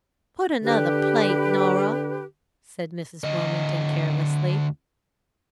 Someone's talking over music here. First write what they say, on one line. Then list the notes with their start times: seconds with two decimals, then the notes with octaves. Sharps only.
"Put another plate, Norah," said Mrs. Wilmington carelessly.
0.64 D3 G4 B4
3.24 D2 D#5